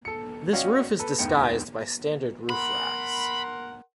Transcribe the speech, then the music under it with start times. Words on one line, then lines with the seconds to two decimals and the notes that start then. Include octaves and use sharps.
This roof is disguised by standard roof racks.
0.05 A4 C#7
0.53 C#4 F#4 D5 D#5 F5 G5
0.99 A4 B4
1.19 E1 D2 G#2 B3 G5 C#7
2.50 A#4 F#5 B5 C6